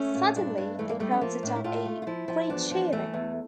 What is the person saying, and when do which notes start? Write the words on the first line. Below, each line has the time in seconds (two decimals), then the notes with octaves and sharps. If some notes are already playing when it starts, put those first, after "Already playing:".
Suddenly the crowd set up a great cheering.
Already playing: A3 C#4
0.14 A#2
0.36 G2 D4
0.58 G2
0.79 E3 A3
0.89 A#3
1.00 G3 A3
1.11 C#4
1.21 F3 A#3
1.43 A2 D4
1.56 E4
1.64 A2 F4
1.85 A3
2.02 F4
2.07 F3 E4
2.28 F3
2.50 E2 D4
2.71 F3
2.92 E3 A3
3.14 E2